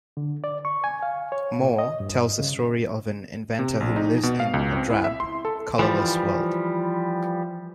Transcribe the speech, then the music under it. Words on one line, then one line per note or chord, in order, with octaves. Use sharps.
"More" tells the story of an inventor who lives in a drab, colorless world.
D3
D5
C#6
G#5
F5
C#5
A#2
D#5
G2
C#3
C3
A#1
D#4
B2
F5
C#2
C4
E4
E5
C6
A4
E3 F3 G3